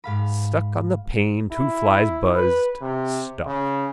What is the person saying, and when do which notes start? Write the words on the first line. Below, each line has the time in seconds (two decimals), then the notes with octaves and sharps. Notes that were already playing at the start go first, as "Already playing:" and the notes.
Stuck on the pane two flies buzzed, stuck.
0.04 G#2 F5 B5
1.52 E4
2.35 B4
2.82 C3
3.46 C#3